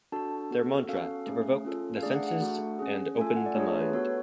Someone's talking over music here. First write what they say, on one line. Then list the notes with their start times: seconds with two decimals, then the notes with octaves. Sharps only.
Their Mantra - To Provoke the Senses and Open the Mind.
0.12 D4 F#4 A4 A5
0.51 B3 F#4 A4
0.89 C#4 F#4 A4 F5
1.27 A3 C#4 G#4
1.65 C#4 F4 A4
1.97 F5
2.03 A3 D4 G#4 D5
2.15 F#5
2.28 F#5
2.41 A3 D4 F#4 A4
2.79 C#4 G#4
3.17 A3 F4 A4 G#5
3.27 G#5
3.36 F#5
3.46 D5
3.55 A3 D4 F4 G#4 C#5
3.68 C#5
3.81 B4
3.93 B3 F#4 A4 C#5